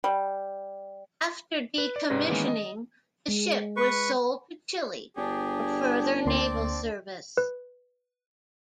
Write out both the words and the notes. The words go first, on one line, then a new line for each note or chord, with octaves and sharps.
After decommissioning, the ship was sold to Chile for further naval service.
G3
B4
D5
G#2 C3 B4 D5 A#6
D#3 E3 G#3 A#3 B3 C#4
D#5
G#3
B4 C#6
G1 D4 G4 G#4
D2 A#3 C4 D5 C6
B4